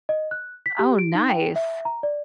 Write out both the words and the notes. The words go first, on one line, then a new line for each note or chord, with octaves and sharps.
Oh, nice.
D#5
F#6
B6
G4
D7
D#4
G5
E5
A#5
D5